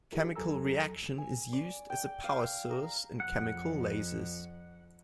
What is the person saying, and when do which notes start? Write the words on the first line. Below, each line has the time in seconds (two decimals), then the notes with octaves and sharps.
Chemical reaction is used as a power source in chemical lasers.
0.12 D#4 E4 G4 G#4 A#4
0.36 E2 F#3 A4 G#5 A#5 E6
1.18 G#5
1.53 D5
1.90 G5
2.24 F5
2.70 A#4
3.20 F2 F#5